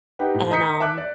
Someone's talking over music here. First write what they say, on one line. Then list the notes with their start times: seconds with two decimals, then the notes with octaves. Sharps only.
And, um,
0.19 D#4 G4 B4 F#5 G5
0.34 A2
0.51 D#5 A#5 D#6 G6 B6 C#7
0.80 E5 A5 D6 F#6
0.98 D5